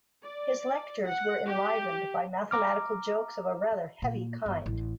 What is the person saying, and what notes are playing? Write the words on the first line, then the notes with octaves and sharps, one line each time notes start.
His lectures were enlivened by mathematical jokes of a rather heavy kind.
D5
F#5
G4
A#5 D6 F6
A#2
G1
A1